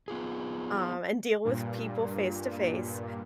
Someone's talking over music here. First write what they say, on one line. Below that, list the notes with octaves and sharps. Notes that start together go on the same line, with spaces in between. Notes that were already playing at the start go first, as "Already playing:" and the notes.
um, and deal with people face to face.
B3 F4 G#4
G2 A#2